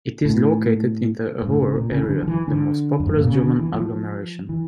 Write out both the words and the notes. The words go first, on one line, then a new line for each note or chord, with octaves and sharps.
It is located in the Ruhr area, the most populous German agglomeration.
A2
G2
A2
C#3
A#2
C#3
E3
D3
F3
E3
D3
F2
G2
A2
A#2
C#3
D3
E3
F3
E3